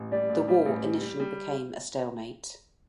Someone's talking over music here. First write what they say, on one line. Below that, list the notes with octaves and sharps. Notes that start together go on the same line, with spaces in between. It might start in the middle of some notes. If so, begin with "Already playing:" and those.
The war initially became a stalemate.
Already playing: A1
G3 D5
A1
G3
A1
G3
G3
G3